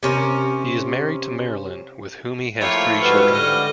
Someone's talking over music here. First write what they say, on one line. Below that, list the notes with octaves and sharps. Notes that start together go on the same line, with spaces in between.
He is married to Marilyn, with whom he has three children.
C3 C#4 A#4
F3 A3 A#3 E4 F4 G4 C#5
G#2 G3 F#4 B4 F6
D3 G4 D#5